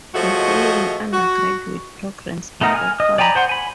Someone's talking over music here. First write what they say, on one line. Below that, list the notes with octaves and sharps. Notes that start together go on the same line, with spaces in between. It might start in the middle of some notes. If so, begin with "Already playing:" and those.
The following undergraduate programmes are offered.
F3 G#3 A3 F#4 C#5 D#5
F#4
A3 B3 D#4 A#4
G#5 F6
D#5
D5 G5 G#5 A#5 B5
C5 F#5 C6
G#5 B5